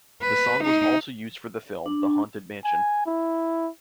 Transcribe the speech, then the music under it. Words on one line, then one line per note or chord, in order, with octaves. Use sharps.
The song was also used for the film, The Haunted Mansion.
B4
D#4
D4
G#5
E4